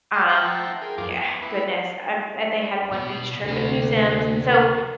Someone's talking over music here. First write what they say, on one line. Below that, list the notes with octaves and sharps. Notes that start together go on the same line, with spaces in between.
um, yeah Goodness, um, um, they had one beach trip at museums and so
A5 A#5 C6
C5 E5 F#5 G5 A5 A#5
G#4 A#4 G5
F#2 F3 F4 G#4 D6
B3
B3 E4 B4
B2 B3
D2 C3 B5